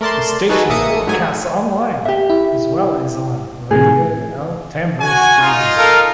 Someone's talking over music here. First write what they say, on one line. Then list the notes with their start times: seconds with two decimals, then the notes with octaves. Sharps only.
The station broadcasts online as well as on Radio El Tambo Stereo.
0.01 A3 A#4 D5 A5 C6
0.49 D#4 F#4 G#4 A4 B4 D#5
0.69 A1 A#3 E5 D6 D#6 C#7
1.07 G#2 F#3 A3 D#4 G#5
2.05 G4 E5
2.30 E4
3.71 A2 C3 G#4
5.00 F#4 G#5
5.39 D#4 F4
5.77 A4 A#4 F5